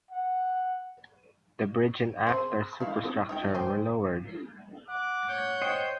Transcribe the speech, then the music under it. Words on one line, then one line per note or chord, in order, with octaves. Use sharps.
The bridge and after superstructure were lowered.
F#5
C4 G#4 C5
D#4 E4 F5
D#4 C#5 G5
C5 G5 G#5
F#5 D6
C#5 G6
C5 D#5 G5